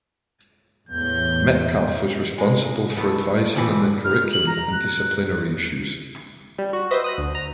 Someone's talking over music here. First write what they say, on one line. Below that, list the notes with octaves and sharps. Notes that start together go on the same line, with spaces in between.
Metcalfe was responsible for advising on the curriculum and disciplinary issues.
E2 A2 G6
G#3
A3 B3
B2 E3 F3 G3 B4
F6
F#7
A#5
F#6
G3
F#4
B4 C5 D#5 E5 A#6
D#6 F#6 A#6
D2
A#5